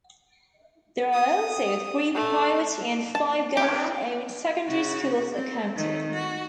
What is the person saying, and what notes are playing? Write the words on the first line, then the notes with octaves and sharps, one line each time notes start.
There are also three private and five government-owned secondary schools accounted.
D#6
A3
A5
G4
C#3 F#4
C4
D#3 A3
F#4